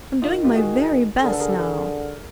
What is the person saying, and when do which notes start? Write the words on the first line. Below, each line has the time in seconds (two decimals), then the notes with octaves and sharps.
I'm doing my very best now.
0.22 D#3 D#4 F4
0.44 F4 G4
0.55 F#4 G#4
1.18 A4
1.23 D3 G#4 A#4
1.32 A4 B4
1.40 G#4 A#4
1.49 G4 A4
1.58 D3 G#4 A#4